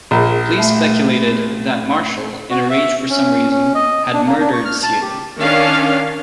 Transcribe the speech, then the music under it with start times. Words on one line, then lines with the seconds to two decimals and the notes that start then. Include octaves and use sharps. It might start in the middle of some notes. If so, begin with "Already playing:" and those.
Police speculated that Marshall, in a rage for some reason, had murdered Seale.
0.11 A#1 A#2 G#4 A#5
0.57 A3 E5
2.50 F#4
2.70 E5
3.10 C#4
3.51 C#4
3.74 D#5
4.13 D4
4.27 A#3
4.40 D4
4.53 C#6
4.65 F6
4.83 A5
5.02 G4
5.40 D#3 C#4 D4 F5